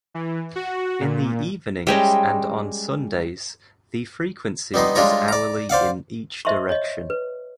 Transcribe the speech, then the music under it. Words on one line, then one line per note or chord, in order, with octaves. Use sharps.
In the evenings and on Sundays the frequency is hourly in each direction.
E3
F#4
A#2
G3 G#3 C#4 E5 G5 A#5
G3 B3 D#4 C6
G3 G#3 D4 F4 C#5 A#5
D5 A#5
C5 D5 F5 F#5
C5 D#5 E5 A5 C6 C#6
C#5 D#5
B4